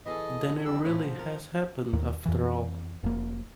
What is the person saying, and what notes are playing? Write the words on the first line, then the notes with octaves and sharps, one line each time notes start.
Then it really has happened, after all!
E3 G#4 A4 D#5
F2 G3 E6
A2 E3 F3 E4
D2
A#4
D#2
F2 E3
F1 A#3